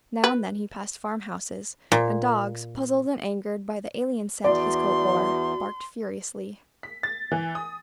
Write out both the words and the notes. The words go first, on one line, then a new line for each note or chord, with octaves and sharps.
Now and then, he passed farmhouses, and dogs, puzzled and angered by the alien scent his coat bore, barked furiously.
B4
A#2
E2 F#4 D5 C6
B6
A6
E3
D#6